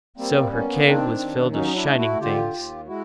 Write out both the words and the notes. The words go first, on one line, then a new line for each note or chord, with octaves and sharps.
So her cave was filled with shining things.
G3 A#3 C4
A#3 B3 C#4
D#3 C4 D4
D#2
F#3 C#4 D#4
D4 E4
A3
E4 F#4
D3 F4 G4
D#2
G#3 E4 F#4